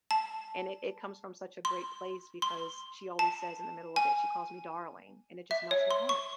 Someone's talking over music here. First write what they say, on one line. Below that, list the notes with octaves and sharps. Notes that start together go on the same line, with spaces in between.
and i it comes from such a great place because she always says in the middle of it, she calls me "darling," and it just melts my heart
A5
C6
C6
A5
G#5
E5
C#5
C6
C#6